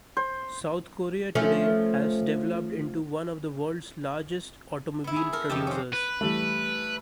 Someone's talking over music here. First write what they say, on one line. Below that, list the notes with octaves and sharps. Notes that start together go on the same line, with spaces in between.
South Korea today has developed into one of the world's largest automobile producers.
C5
F3 A3 C#4
B3 E4
G#4 E5
A4 A#4
F2 D#3 F3 G4 A5
C4 C#4
B4
E3 G3 A3